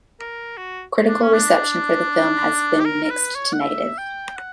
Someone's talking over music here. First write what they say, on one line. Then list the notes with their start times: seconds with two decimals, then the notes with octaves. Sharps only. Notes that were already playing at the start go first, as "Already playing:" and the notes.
Critical reception for the film has been mixed to negative.
0.20 A#4
0.57 F#4
1.09 D4
1.22 C#4
1.33 D4
2.80 G4
2.85 A#4
3.04 A#4
3.10 B4
3.35 C#5
3.53 F#5
3.61 E5
3.98 G5
4.36 F#5